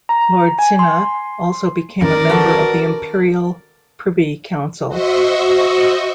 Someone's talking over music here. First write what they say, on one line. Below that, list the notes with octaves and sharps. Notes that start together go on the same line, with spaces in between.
Lord Sinha also became a member of the Imperial Privy Council.
A#5
G#5
C6
D#3 C#4 A#4 D5
F#4 A4 B4
F#4 C5 D#5 E5 C#6